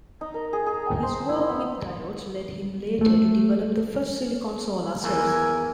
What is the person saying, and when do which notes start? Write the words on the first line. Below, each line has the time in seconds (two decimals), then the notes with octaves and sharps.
His work with diodes led him later to develop the first silicon solar cells.
0.21 D#4
0.34 A#4
0.53 G#4
0.66 G#4
0.86 G5
1.03 C5
1.29 E4
1.49 B3
3.01 A3
5.03 E2 E3 A#4 G#5